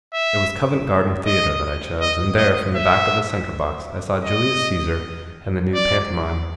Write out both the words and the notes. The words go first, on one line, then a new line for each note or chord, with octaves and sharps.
It was Covent Garden Theatre that I chose; and there, from the back of a centre box, I saw Julius Caesar and the new Pantomime.
E5
D#5
D#5
D#5
E5
D#5
D5